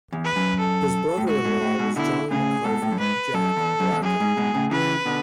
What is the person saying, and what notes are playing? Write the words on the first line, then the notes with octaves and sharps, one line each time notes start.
His brother-in-law was John McCarthy 'Jack' Blackham.
E2
B4
F#2
A4
A2
G#2 F#4
G#2 B2
A2
G#2 B2
B2 D3 E4
A2 C#3 G#4
G#2 B2 A4
A2
F#2
G#2 B4
F#2 A4
E2
F#2
E2
F#2 G#4
G#2
G#2 B2
A2 C#3
C#3 E3 B4
B2 D3